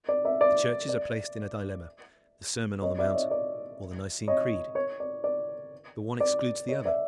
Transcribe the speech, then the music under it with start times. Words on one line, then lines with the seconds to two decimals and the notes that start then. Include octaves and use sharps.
The churches are placed in a dilemma: the Sermon on the Mount or the Nicene Creed--the one excludes the other.
0.09 D5
0.25 D5 E5
0.41 D5
0.89 D5
2.82 C#5 D#5
2.99 D5 E5
3.14 C#5 D#5
3.31 D5
4.28 C#5 D#5
4.75 C#5
5.00 D5
5.24 D5
6.20 D5
6.69 C#5 D#5
6.85 D5 E5